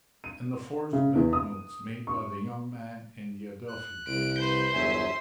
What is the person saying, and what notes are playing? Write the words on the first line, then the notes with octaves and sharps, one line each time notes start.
"And the forged banknotes made by the young man in the Adelphi?"
D#7
C#3
E2
D#6
C#6
F#6
C2 D7
B4 C5 C6 G6
G1 E2 F#3 E5 G#5